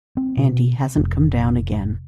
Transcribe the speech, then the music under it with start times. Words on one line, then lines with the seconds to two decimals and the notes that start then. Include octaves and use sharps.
'And he hasn't come down again.
0.17 C4
0.37 B2
0.97 F1